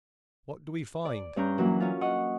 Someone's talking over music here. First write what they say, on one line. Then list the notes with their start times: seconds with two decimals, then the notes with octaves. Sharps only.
What do we find?
1.05 D5
1.36 G2 C#4 D4 A#5 G6
1.58 E3 F#3 A#3
1.80 C#4 F4
2.01 C#5 D#5 F#5 C#6